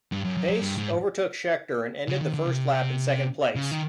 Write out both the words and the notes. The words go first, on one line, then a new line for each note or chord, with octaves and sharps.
Pace overtook Scheckter and ended the first lap in second place.
G2
F#2
F#2
F#2
G2
G#2
C#3
D#3
D3
C3
C#3
D#3